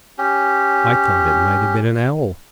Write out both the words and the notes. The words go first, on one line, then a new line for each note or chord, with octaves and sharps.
I thought it might have been an owl.
C#4 G4